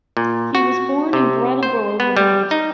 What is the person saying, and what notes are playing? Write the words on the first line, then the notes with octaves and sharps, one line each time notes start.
He was born in Brattleboro, Vermont.
A#2
F#4
C3
C5
B3
G3
D#4